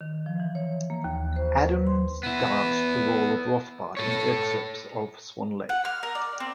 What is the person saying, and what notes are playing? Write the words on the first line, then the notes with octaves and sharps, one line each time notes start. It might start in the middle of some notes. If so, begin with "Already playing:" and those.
Adams danced the role of Rothbart in excerpts of Swan Lake.
D#3
F3
E3
C#5
A#3
D#2
C5
B4
C6
B3 E4
A4 C#5
F#5
F6
A#4
D5
C4